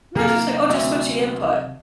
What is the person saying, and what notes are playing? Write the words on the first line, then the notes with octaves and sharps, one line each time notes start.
mine's just like, "Oh, just switch the input,"
C3 D#3 F#3 A#3 A#4 F5
D2 E5